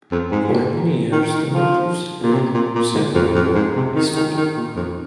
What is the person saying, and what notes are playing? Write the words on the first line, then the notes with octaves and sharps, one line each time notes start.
For many years, the natives lived simply but peacefully.
F2
G#2
G#2
A#2
D#3
D#3
F3
A#2
C3
A#2
A#2
G#2
F2
F2
G#2
C3
D#3
D#3
D#3
A#2
F2